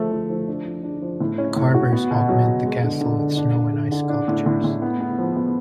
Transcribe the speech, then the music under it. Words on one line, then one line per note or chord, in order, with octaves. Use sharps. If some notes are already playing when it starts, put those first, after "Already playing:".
Carvers augment the castle with snow and ice sculptures.
Already playing: F3 A3
F3
F3
D4
F3
D4
F3
A2
C#4
A2
F#4
B3
B2
F#3
B2
G#3
D3
D3
D3
D4
D3
D3
D3
D4
A2
A2
A2
B3
B3
F3
B3